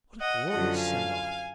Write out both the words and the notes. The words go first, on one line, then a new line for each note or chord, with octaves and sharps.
What a glorious send- off!
D#5 F#5
F#2 D3 F3 D#5 F#5
F5 G#5